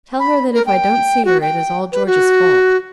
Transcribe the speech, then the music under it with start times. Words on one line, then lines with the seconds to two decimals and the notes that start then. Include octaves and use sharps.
Tell her that if I don't see her it is all George's fault.
0.20 B5
0.55 A#4
0.66 G5
1.25 F#4
1.42 G5
1.92 B4
2.06 F#4